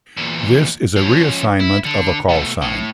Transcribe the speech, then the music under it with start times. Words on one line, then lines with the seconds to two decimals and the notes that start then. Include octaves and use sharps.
This is a reassignment of a callsign.
0.17 E2 A#2
0.96 F3 C#4
1.60 E4
1.85 D3
2.29 B2 A3
2.62 A2